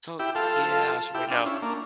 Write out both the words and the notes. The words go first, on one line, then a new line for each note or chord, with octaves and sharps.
So, yeah. So right now,
E4 G4
F4 A4
E4 G4
D4 F4
F4
C#4 E4
A#3 D4